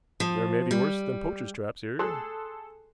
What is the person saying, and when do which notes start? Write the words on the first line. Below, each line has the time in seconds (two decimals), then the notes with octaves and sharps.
"There may be worse than poachers' traps here."
0.20 F3
0.71 G3
1.99 G#4 A4 C6 F#6